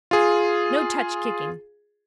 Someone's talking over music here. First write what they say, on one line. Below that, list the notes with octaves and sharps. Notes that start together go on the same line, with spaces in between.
No touch kicking.
F4 G#4